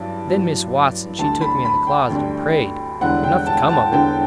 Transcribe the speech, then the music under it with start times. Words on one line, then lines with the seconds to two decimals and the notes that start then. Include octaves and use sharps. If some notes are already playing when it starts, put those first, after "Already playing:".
Then Miss Watson she took me in the closet and prayed, but nothing come of it.
Already playing: A1 G2 F#3 A5
0.28 A1 G2 F#3
1.19 D2 D3 G3 A5
1.41 B5
1.65 B5
1.87 G5
2.10 D2 D3 G3
3.01 E1 E2 D3 G3 F#5
3.23 G5
3.47 A5
3.69 A5
3.92 E1 E2 D3 G3 G5